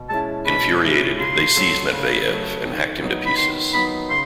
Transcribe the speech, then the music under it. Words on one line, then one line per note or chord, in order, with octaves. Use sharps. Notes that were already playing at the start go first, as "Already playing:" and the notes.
Infuriated, they seized Matveyev and hacked him to pieces.
Already playing: B2
G#3 C#4 E4 A5
B2 B5
G#3 C#4 E4
C#3 C6
F#3 A3
C#3
F#3 A3
D#3
F#3 B3 D#4
B5
D#3 C6
F#3 B3 D#4 B5
C#3 C6